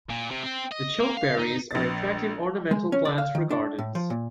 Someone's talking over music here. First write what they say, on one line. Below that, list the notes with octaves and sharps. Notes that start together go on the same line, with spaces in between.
The chokeberries are attractive ornamental plants for gardens.
A#2
C3
C4
D#5
A#3
F5
D#4
A#1 A6
G#3
C#4
D5
F5
D#3
D4
A2
F3
A#2